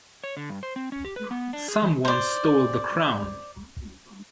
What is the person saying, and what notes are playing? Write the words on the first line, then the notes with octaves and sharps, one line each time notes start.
Someone stole the crown!
C#5
D3
G2
C5
C4
C#4
G4
B4
B3
D4
G#4
E3
C5 D5